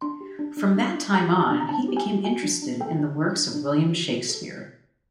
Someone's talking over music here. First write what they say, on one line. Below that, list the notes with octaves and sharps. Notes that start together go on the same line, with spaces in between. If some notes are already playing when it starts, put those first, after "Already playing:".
From that time on he became interested in the works of William Shakespeare.
D4 C6
G4
D4
D4
D4
D4
G4 A#5
G4 A#5
A5
D4
A#5
D4 A5
G4
G#5
G4
F#4 G#5
D4
D4
A4 G5
D4
D4
D4
D4
D4
F#4
F#4
A4